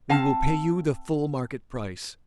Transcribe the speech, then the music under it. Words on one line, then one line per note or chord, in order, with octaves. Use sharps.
"We will pay you the full market price."
C4 F5 A5